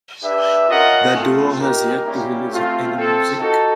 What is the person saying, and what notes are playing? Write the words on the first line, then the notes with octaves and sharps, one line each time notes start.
The duo has yet to release any music.
D4 G4 B4 E5
C#4 F4 A#4 D#5 F#5
A3 C4 F4
A#3 D#4 G4 A#4
G3 A#3 C#4 E4 G4
A3 C4 F4
C4 F4 A4
D#4 F#4 A4